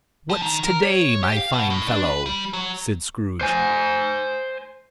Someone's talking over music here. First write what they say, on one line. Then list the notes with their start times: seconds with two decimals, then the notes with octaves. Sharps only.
"What's to-day, my fine fellow?" said Scrooge.
0.30 F3
0.42 D#3
0.64 A#4
0.82 C#5
1.23 G4
1.36 F5
1.53 B2
1.70 A2
1.87 D4
2.05 B4
2.26 G3
2.53 F#3
3.41 C5 G#5